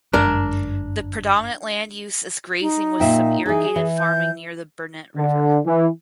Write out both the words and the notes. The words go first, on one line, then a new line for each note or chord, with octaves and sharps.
The predominant land use is grazing with some irrigated farming near the Burnett River.
G1 F#2 G#3 D4 A#4
D#4
A#2 E5 G5
E3 D#4 G#4
E3
G6
D3
E3